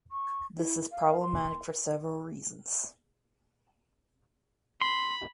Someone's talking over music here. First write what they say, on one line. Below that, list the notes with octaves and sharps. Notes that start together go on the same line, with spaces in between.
This is problematic for several reasons.
C#6
E4
F5
C6
B5 C6